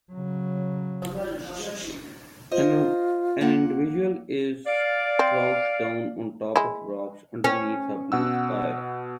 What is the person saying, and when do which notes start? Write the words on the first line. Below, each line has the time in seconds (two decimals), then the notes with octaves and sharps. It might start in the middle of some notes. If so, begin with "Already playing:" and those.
An individual is crouched down on top of rocks underneath a blue sky.
0.12 C#3 F#3
2.51 F4 C5 D#5
3.41 A#3 F#5
4.66 D5 F5
5.19 C4
6.56 G#3 E4
7.44 C#4
8.12 B2 F#5 E6